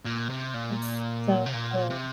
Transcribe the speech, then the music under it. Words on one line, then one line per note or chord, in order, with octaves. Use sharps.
That's so cool.
A#2
C3
A#2
C3
A#2
C3